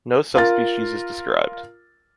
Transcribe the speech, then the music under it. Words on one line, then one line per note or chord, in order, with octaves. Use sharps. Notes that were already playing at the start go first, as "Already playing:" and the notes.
No subspecies is described.
F4 A#4 A6